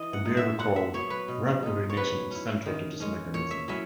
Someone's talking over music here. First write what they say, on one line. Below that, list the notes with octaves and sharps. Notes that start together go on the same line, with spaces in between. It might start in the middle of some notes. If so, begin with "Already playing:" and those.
A behavior called "rub-urination" is central to this mechanism.
Already playing: E3 D#5
F#5
G#3 D#4
E5
A#2 F#5
E5
F#3 B3 C#5
B4
B2
G#3 D#4
C#5
F#3 B4
C#4 E4
D#3
G#3 C#4
A#2 C#5
E5
F#3 C#4 E4 E5